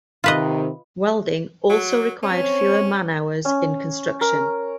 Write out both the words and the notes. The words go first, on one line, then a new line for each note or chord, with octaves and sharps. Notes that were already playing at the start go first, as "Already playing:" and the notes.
Welding also required fewer man-hours in construction.
C3 D#3 F4 B4 D#5
F#3
C4 C#4 C#5
C#4
A#4